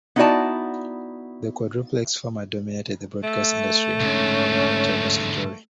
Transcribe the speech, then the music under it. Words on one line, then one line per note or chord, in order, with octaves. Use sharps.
The Quadruplex format dominated the broadcast industry for a quarter of a century.
B3 D#4 E4 F#4 D5 A5
A3 E5
G#2 D3 C#4